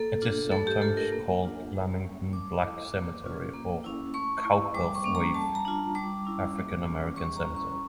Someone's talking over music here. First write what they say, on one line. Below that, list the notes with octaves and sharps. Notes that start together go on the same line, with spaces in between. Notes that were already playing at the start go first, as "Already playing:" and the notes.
It is sometimes called Lamington Black Cemetery or Cowperthwaite African American Cemetery.
Already playing: A#3 A4
D4 F4
A3 A4
G4
D4 F4 A4
A#4
A#3
D4 F4
G3
A#3 C#4
A3 D6
E4
A#3
C#4 F4
A#3
C#4 E4
A3 C#6
E4
G3 D6
C#6
A#3 C#4
A#5
G3 A5
A#5
D4 F4
G3 D6
C#4 E4
A#3
C#4 F4
G3 C#6
A#5
C#4 E4
C#6